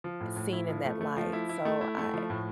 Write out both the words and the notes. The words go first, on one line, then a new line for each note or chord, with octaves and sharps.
seen in that light, so I
F3
A2
A2
E4
F3
A3
A3
F3
E4
E4
A3
E4
A3
F3
A2